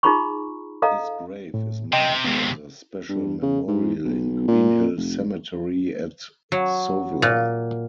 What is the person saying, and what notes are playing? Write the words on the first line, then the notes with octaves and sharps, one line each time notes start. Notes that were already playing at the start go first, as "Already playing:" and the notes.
His grave is marked as a special memorial in Green Hill Cemetery at Suvla.
D#4 F4 G#4 A#5 B5 C#6
A4 D#5 F5 A#5
A2
C3 D#5 G5 C6
D#2 C3 G#3 B3
G2
C#3
G#2
B1
A#2
F1
F#3
A#2